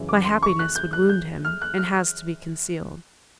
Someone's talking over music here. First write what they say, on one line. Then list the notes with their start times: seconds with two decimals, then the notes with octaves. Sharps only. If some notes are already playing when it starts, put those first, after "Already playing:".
My happiness would wound him, and has to be concealed.
Already playing: F#2 C#3 E3
0.09 D6
0.24 C6
0.43 C#6
0.59 F#6
0.75 G6
0.93 F#6
1.09 G6
1.45 F6
1.62 F#6
1.78 F6